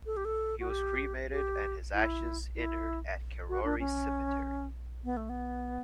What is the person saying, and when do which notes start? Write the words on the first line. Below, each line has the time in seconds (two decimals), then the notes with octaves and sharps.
He was cremated and his ashes inurned at Karori Cemetery.
0.06 A4
0.17 G4
0.25 A4
0.60 F#4
0.69 G4
1.32 G4
1.94 E4
2.56 E4
3.49 F#4
3.64 D4
3.79 C#4
5.04 B3
5.17 A3
5.29 B3